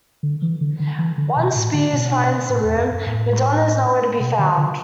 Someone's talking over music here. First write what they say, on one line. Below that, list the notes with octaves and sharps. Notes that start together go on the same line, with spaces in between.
Once Spears finds the room, Madonna is nowhere to be found.
D3
E3
D3
D3
E3
D3
B2
A2
D3
B2
A2
E2
F#2
F#2
A2
B2
D3
D3